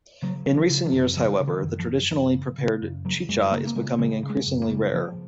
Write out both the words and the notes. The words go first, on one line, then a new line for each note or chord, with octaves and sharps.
In recent years, however, the traditionally prepared chicha is becoming increasingly rare.
C#3 F#3
C#3
F3
C#3
F3
F#2
C#3 F3
C#3
D#3
F#2
F3
F#2
F#2 F3
C#3
C#3
F#2
C#3 F#3
F#2 G#3
C#3 A#3
A#3
C#3 G#3
C#3 G#3
C#3
G#3
F#2
A#3
C#3
C#3 F3